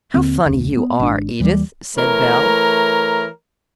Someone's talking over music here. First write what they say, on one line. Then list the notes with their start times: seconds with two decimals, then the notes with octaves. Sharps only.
"How funny you are, Edith," said Belle.
0.14 D#2 D3 C4
0.45 F1 D2
0.77 B3
1.00 G#1 D4
1.40 D#2 E3 F#3 G3
1.97 E3 A3 A#4 C#5 A#5